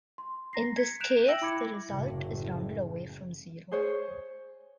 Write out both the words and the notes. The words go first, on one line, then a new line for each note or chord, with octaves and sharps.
In this case, the result is rounded away from zero.
C6
A#5 A#6 C7
G#6 B6 C#7
F#6 G6 D7 E7 F7
E5 G5 E6 A#6 D7 F#7
E4 B5 D6 G#6 C#7
F#1 A2
G#4 C5 C#5